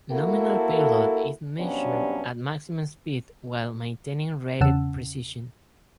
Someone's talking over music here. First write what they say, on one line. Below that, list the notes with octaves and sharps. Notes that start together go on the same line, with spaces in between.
Nominal payload is measured at maximum speed while maintaining rated precision.
A#3 E4 F#4 A4
G2 C3 F#3 B3 C#4 D4
E2 C#3 C#4 F#5 A5 E6